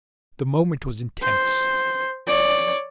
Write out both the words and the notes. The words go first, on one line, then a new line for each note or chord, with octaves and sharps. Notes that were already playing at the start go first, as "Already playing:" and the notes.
The moment was intense.
C5
C#5 D5